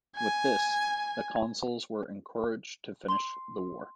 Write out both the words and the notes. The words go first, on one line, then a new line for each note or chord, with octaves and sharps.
With this, the consuls were encouraged to finish the war.
G#5
C6